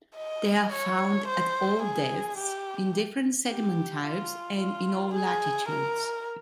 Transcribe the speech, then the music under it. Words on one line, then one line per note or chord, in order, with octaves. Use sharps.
They are found at all depths, in different sediment types, and in all latitudes.
D#5
C#5
C5
G#4
G4
G4
F4
F4
G#4
A#4